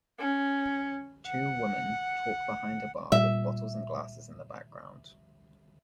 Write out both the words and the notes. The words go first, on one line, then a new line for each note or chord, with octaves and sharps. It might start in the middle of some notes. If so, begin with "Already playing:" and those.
Two woman talk behind a bar with bottles and glasses in the background.
C#4
F#5
A#2 G3 E5